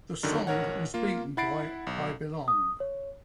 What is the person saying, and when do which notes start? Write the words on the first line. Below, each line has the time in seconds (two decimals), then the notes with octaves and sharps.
The song was beaten by "I Belong".
0.23 F#2 D3 D#3
0.47 A1 A#4 C#5 F#5
0.94 A#3 F4
1.37 E4 F#5 B5 A6 C7 D7
1.87 B1
2.48 D#6
2.80 C#5